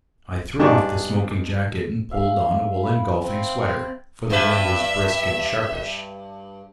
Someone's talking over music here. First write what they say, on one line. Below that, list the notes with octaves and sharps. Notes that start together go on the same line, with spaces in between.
I threw off the smoking-jacket and pulled on a woolen golfing sweater, for the wind was brisk and sharpish.
G2 D4 D#4 G4 G#4 C#6
E5 F5
B5
C4
G2 B4 E5